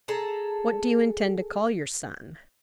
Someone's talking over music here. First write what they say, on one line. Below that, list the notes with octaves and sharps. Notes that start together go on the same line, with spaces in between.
"What do you intend to call your son?"
G#4 A4 A5 A#5